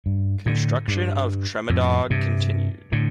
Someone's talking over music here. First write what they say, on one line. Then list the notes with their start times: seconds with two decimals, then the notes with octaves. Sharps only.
Construction of Tremadog continued.
0.06 G2
0.46 A2 D3
0.88 G2
1.70 F2 A2
2.10 G2 C3
2.92 A2 D3